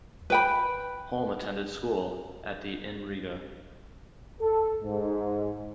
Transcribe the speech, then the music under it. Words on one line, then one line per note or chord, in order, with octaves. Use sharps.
Holm attended school at the in Riga.
B4 G5 B5
A4
G#2